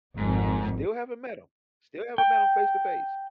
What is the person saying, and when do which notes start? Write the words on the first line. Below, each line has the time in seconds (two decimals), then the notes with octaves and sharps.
still haven't met 'em. Still haven't met 'em face to face,
0.17 G#1 F2 G#2
2.18 G5